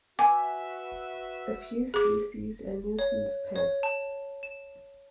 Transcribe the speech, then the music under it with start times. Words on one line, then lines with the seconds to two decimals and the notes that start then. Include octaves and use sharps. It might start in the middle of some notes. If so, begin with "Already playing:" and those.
A few species are nuisance pests.
0.19 F#4 B4 E5 G#5 D6
1.94 G#4 D6
2.99 C#5
3.56 C#5
3.83 A5
4.43 E7